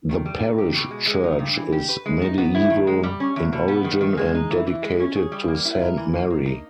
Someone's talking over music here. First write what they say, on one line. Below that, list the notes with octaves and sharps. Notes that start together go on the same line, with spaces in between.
The parish church is medieval in origin and dedicated to Saint Mary.
D#3
G3
D#4
G4
B2
G#3
G#3
D#4
G2
E3
G4
B4
G#3
D#4
B3
E4
D#3
G#3
G3
C#4
E2
B2
B3
D#3
D#3
G#3
D#4
E3
E3
G#3
C#4
G#4
G3
A#3
E4
A#4
E3
A#3
A#3
D#4